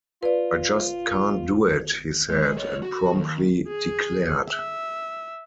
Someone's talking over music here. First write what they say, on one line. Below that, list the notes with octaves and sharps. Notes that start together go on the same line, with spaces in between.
"I just can't do it," he said, and promptly declared.
F4 B4 D5
G#3
C#5 D#5
F#4
D#2
G#4
E5